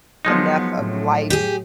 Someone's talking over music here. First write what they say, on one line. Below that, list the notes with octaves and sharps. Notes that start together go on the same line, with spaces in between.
enough of life's
F3 F#3 G#3 B3 D#4
A2 F#3
G4 G#4